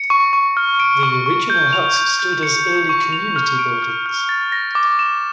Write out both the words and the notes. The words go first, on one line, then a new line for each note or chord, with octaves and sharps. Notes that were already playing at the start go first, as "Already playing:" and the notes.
The original huts stood as early community buildings.
Already playing: C#7
C#6
C#6
F6
D7
C#6
C#6
G6
F7
G6
G6
C#7
C#7
C#6
F7
F6
D7
F6
F6
A6
A#6
D6
E7